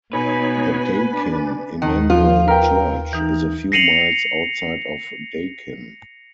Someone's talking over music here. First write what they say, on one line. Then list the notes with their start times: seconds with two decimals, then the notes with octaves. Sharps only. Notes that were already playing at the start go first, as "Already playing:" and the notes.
The Daykin Immanuel Church is a few miles outside of Daykin.
0.13 B2 D#4 B4 C#5 G#5
1.13 D4
1.82 D#2 D#3
2.10 F3 F4
2.48 A#4 B4 G5
3.13 E3 D#4
3.72 A#6 C7 C#7 D#7 F7 F#7